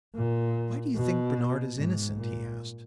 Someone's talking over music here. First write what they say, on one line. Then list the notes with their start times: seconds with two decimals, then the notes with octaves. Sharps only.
"Why do you think Bernard is innocent?" he asked.
0.16 A#2
0.97 B2
1.76 G#2
2.17 A#2